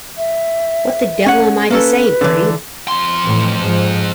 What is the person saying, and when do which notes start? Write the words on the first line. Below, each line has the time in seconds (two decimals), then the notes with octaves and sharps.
What the devil am I to say, Bertie?
0.18 E5
1.26 C#4 F#5
1.70 A#3 C#4 A4 B4
2.21 D3 E3
2.88 F2 C6
3.22 A2 E3
3.60 G#2 F3